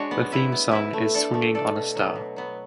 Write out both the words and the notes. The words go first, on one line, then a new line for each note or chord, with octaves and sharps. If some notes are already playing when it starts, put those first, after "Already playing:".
The theme song is "Swinging on a Star".
Already playing: G#3 D4 F#4 C#5
B3
E4 B4 E5
B3
E4 B4 E5
A3
D4 A4 D5
A3
D4 A4 D5
B2
F#3 B3
B2
F#3 B3